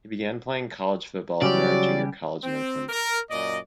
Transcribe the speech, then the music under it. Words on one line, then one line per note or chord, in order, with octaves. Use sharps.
He began playing college football at Merritt Junior College in Oakland.
C#3 F#3 G3 G4 D5
C4
A#4
F#2 A#2 D5 D#5